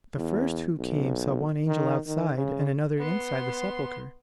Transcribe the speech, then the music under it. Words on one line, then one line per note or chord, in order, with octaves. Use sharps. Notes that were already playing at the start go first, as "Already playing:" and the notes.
The first who came saw one angel outside and another inside the sepulchre.
E2
B1
D#3
D#3
C#3
B3 C6